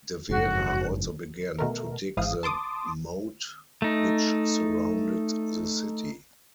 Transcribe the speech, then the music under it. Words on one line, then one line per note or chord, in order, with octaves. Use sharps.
De Vera also began to dig the moat which surrounded the city.
F#1 F2 G#2 F#4
B2 A3 A#4
G#1 G#2 E3 F5 D#6
A5 C6 D6 D#6
A3 D#4